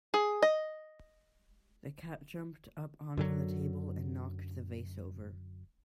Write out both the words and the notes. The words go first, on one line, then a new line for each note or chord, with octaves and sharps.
The cat jumped up onto the table and knocked the vase over.
G#4
D#5
F#2 D3 F#3